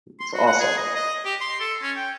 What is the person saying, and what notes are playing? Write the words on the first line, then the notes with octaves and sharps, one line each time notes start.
It's awesome.
C6
F#4
F#5
G#4
D#5
D#5
G4
C6
A4
C#4
G5